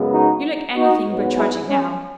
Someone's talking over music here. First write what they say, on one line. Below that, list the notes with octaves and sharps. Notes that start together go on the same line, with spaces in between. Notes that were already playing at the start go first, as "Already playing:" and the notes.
"You look anything but tragic now."
Already playing: F#2 C#3 G#3 B3
D#4 F#4
D#4 F#4
G#2 F#3 B3
E4 G#4
C#4